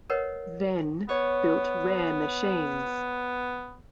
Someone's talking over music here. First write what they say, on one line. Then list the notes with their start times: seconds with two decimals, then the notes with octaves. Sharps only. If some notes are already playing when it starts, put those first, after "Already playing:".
Venn built rare machines.
0.10 A#4 B4 C#5 D#5 F#5
1.09 B3 C#5